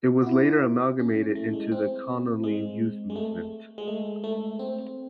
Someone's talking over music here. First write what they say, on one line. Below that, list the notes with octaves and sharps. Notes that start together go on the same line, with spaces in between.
It was later amalgamated into the Connolly Youth Movement.
F#4
E4
C#4
A3
G#3
C4
G#3
G#3
A3
G#3
A3
A3
C4